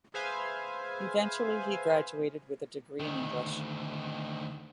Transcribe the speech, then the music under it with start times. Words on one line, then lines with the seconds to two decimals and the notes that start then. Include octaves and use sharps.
Eventually he graduated with a degree in English.
0.14 G#4 B4 C5 E5 F5 G#5
2.99 D2 D#3